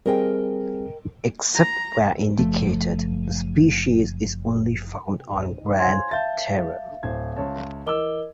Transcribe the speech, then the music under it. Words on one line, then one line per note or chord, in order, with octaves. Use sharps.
Except where indicated, the species is only found on Grande Terre.
G3 C4 G#4 A#4 D#5 G5
A#5
F#1 F3 A3
C5 C#5 F5 G#5 C6 G#6
E5 F5 A5 G6 A6
D1 C5 G#6
C#2 C#5 A5
E3 A#4 D#5 D6 E6 G7